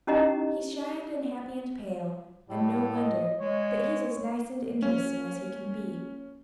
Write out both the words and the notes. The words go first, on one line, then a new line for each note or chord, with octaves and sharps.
"He's shy and unhappy and pale, and no wonder; but he's as nice and interesting as he can be."
C#4 D#4 E4 G4 D#5 A#5
A2 G3
D#5
G#3 C#5
A#3 C#4